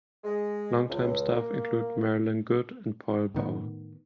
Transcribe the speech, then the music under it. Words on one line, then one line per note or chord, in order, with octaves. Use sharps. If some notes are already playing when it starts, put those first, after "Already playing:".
Long time staff include Marilyn Good and Paul Bauer.
G#3
C#2
A#3
A2 D#3 B3